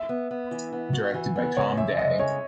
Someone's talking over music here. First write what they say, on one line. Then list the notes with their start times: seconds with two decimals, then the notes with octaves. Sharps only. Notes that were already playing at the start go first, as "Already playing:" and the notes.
Directed by Tom Dey.
Already playing: E5
0.09 B3
0.31 B3
0.51 E3
0.72 B3
0.93 F#4
1.14 E3
1.36 B3
1.57 C#3 C#5
1.77 F#2 E5
1.99 G#3 D#5
2.19 C#3 C#5